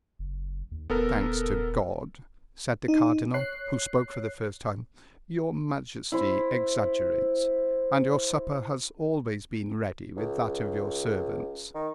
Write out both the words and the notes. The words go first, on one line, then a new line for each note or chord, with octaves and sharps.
"Thanks to God," said the cardinal, who spoke for the first time, "your majesty exaggerates, and your supper has always been ready with that of your servants."
F#1
D#2
D#1 B3 A4 A#4
D#4
C#5 F#6 C7
E4 C5
C#2
D#3